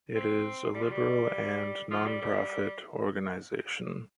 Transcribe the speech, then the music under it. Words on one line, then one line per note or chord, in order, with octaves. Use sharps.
It is a liberal and non-profit organization.
C4
G3
F3
G3
F3
G3
G3